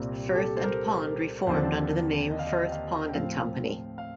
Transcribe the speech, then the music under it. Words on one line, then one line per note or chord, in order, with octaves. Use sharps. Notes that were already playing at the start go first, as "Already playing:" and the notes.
Firth and Pond reformed under the name Firth, Pond and Company.
Already playing: C2 A#2 G3 C4
G4
A4
C5
A#4
D#2 D3 F3 C4 C5
D5
C5
D#5
F5
D#5
G5
F5
G5
A2 F3 C4 F5
F5